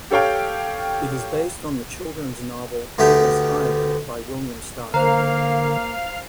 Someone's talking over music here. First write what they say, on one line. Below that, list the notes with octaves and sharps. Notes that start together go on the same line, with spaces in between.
It is based on the children's novel "Abel's Island" by William Steig.
G4 A4 C#5 F5 G5
D2 A3 B3 G4
D3 A#3 A#4 C5 F5 A#5